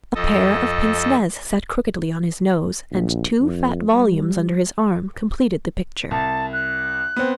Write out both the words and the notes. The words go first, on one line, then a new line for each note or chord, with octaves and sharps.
A pair of pince-nez sat crookedly on his nose and two fat volumes under his arm completed the picture.
F2 A4 D#5
A#1
F2
G3
C2 A5
F#6
B3 C4